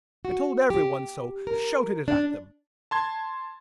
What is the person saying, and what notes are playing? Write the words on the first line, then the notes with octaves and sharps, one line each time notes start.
I told every one so, shouted it at them.
F#4
G4
A#4
D4
A5 C6 G#6